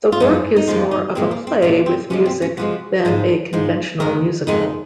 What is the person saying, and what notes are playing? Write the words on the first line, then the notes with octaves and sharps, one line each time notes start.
The work is more of a play with music than a conventional musical.
F4
F#2 F3 G#3 D#4
D#4
F#2 F3 G#3 F4
D#4
A#2 F3 G#3 C4
A#3
C4
A#2 F3 G#3 C#4
C4
C3 F3 G#3 C#4
C4
C#4
C3 F3 G#3 F#4
G#2 F3 G#3
G#2 F3 G#3
F2 D#3 G#3 A#4
F2 D#3 G#3 D#4